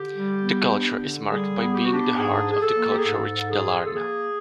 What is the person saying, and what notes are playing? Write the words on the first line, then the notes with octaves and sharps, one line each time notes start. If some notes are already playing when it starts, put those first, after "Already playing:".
The culture is marked by being in the heart of the culture rich Dalarna.
Already playing: D3 G4
G3
B3
D4
D3
G3 G#4
B3
G4
F#4
D4 G4
G#2 G#4
F3
G#4
A4
A#3
G4
G#4
G#2 A4
G#2
G#4
F3
A4
A#3 G#4